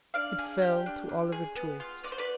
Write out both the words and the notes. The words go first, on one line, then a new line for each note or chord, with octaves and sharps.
It fell to Oliver Twist.
D4 D5 F5
G#4
G4
D4
D4
G#4
B3
F4
B3 D5
C5
B4 D5